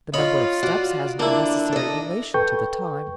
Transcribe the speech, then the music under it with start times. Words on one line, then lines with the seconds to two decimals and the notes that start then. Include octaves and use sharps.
The number of steps has no necessary relation to the time.
0.14 F4 C#5 D#5 B5
0.63 F#4 D5
1.19 D3 A#3 D4 E4
1.73 A4 D#5
2.34 A4 B4 G5 C#6 G6